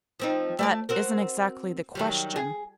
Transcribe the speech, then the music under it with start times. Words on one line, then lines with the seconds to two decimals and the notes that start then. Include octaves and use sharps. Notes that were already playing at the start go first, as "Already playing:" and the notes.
'That isn't exactly the question.
0.20 F3 C4 D#4
0.59 A3 C5 D5
0.89 C4 F#4 A#4
1.95 D#3 F#3 G3
2.36 G#4